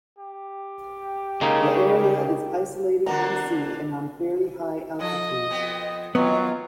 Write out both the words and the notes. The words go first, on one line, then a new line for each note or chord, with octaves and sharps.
The area is isolated from the sea and on fairly high altitude.
G4
C#3 G#3 A#3 D#4
E2 D3 A#3 B3 F#4 A#4 F#5 A#5
F3 A4 D#5
F2 B3 C4
D#3 E3 F#3 B3 F4